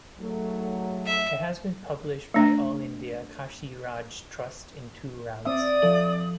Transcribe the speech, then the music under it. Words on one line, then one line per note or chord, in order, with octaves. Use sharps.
It has been published by All India Kashiraj Trust in two rounds.
G#2 F#3 A3
E5
A3 D4
C4 D5 E5 D#6
F3 A4 F#7